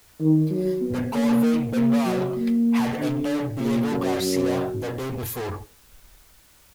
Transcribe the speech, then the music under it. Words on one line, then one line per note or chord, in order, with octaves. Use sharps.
The corvette "Bengal" had entered Diego Garcia the day before.
D#3
F#3
B3
A#3
A#3
F#3
A#3
D3
A#2
F#2
F#2